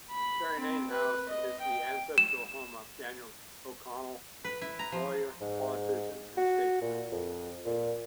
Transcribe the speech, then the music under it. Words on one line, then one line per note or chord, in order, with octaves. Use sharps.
Derrynane House is the ancestral home of Daniel O'Connell, lawyer, politician and statesman.
B5
C4
B4
D#5
G5
E7
B4
E4
A#5
F3
G#2
F#4
A#2
F2
A#2